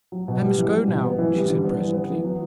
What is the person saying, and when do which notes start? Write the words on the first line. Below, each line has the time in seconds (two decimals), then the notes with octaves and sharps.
'I must go now,' she said presently.
0.12 F#3
0.28 B2
0.42 G3
0.58 E3
0.72 G3
0.88 B2
1.04 B3
1.18 E3
1.34 G3
1.48 D3
1.64 B3
1.79 E3
1.94 B3
2.10 E3
2.24 F#3